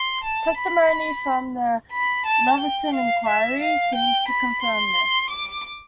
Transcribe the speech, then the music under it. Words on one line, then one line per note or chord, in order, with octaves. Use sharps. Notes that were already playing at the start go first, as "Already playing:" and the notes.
Testimony from the Leveson Inquiry seems to confirm this.
Already playing: C6
A5
B5
B5
A5
G5
F5
E5
F5
G5
B5
C6
D6